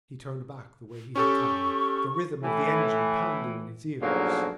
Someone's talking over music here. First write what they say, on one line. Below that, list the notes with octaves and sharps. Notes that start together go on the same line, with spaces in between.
He turned back the way he had come, the rhythm of the engine pounding in his ears.
C#4 G4 A4 C#6
A2 E3
G#2 B2 D3 F3 F#3 A#3